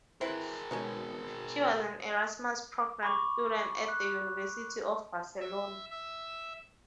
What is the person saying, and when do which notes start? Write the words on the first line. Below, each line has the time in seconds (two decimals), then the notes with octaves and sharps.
She was an Erasmus Programme student at the University of Barcelona.
0.21 C4 E4 G#4 A#4 B4
0.71 B2 D#3 G#3 C#4 D#4
3.03 B5 C#6 D6
3.88 F#6
5.40 E5
5.90 E5